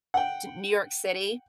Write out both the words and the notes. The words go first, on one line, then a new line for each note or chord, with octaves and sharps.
t New York City.
F#5 G5